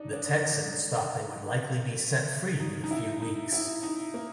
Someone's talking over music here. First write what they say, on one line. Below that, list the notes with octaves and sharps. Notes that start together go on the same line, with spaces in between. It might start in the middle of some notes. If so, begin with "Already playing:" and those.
The Texans thought they would likely be set free in a few weeks.
Already playing: D4 D#4
D4
D4
D#4
D#4
E4
D#4
E4
D#4
A#3